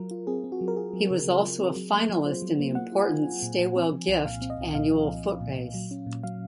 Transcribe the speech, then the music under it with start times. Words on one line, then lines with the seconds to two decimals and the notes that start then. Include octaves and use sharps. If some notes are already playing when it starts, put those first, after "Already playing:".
He was also a finalist in the important Stawell Gift annual foot race.
Already playing: F#3 F4 A#4
0.11 F4
0.27 C4 G#4
0.44 C4
0.52 F#4
0.61 F#3
0.68 A#4
0.77 F4 G#4
0.93 F#3
1.11 C#3
1.27 F#3
1.43 F4
1.59 C4
1.76 F#3
1.93 A#3
2.09 F#3
2.25 F4 C5
2.42 F#3
2.59 A#3
2.75 A#3 F#5
2.92 F4
3.01 G#5
3.09 F4
3.26 F4
3.43 A#2
3.59 A#2
3.76 C4
3.92 F3
4.08 C2
4.25 A#2 F5
4.41 C4
4.50 D#5
4.58 C2
4.75 A#2 F5
4.91 F3
5.07 F3
5.24 F3
5.41 A#2
5.57 A#2
5.74 F#3
5.91 C#4
6.07 A#2
6.23 F#3 F5